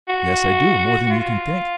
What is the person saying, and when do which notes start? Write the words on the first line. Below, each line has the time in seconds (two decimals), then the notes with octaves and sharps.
"Yes, I do; more than you can think."
0.08 F#4
1.06 F#4
1.10 F4